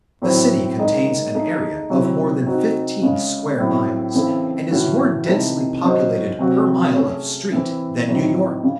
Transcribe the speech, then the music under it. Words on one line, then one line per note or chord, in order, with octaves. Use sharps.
The city contains an area of more than fifteen square miles and is more densely populated per mile of street than New York.
A2 F#3 C4 E4 C5
D#3 G#3 D#4 G#4 D#5
A3 D#4 G#4
C3 F#3 C4 E4
C4 D#4 F#4
C#3 G#3 C#4
A2 F#3 C4
C#3 E3 C4 E4 A4
A2 E3 A3 C#4 F#4
C3 E3 A3 D#4 A4
F#3 C#4 F#4 C5 D#5
C3 F#3 C4 F#4 C5
A3 C#4 G#4 C#5
E3 C4 E4
A2 F#3 C4 D#4
C#3